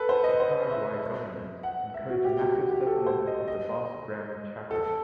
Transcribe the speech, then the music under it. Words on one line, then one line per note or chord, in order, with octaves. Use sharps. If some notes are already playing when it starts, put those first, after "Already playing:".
The Paraguay government encouraged massive settlement of the vast Gran Chaco.
Already playing: A4 B4
C5
D#5
C5
E5
F#5
E5
F#4
G4
F#4
F#4
G4
A4
C5
D#5
D#5
A4